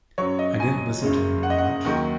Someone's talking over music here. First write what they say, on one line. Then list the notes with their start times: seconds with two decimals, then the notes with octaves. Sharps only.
I didn’t listen to him very much.
0.18 F#2 F#3 C#5
0.39 D#5
0.60 G#5
1.01 F#1 F#2 C#3 G#3
1.43 F#5
1.50 D#5
1.58 F#5
1.85 D#2 D#3 F#3